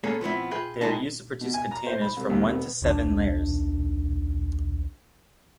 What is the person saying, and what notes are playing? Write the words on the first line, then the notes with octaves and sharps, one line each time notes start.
They are used to produce containers from one to seven layers.
A#3 B3 C#4 G#4 A4
F3 B3 C4 E4
F4 G#4 B4 G5
C2 B2 G#3 D#4 A5
B2
G#5
A#5
C5
B5
C2
D#2
C2
B3
D#1 B1 B2 D4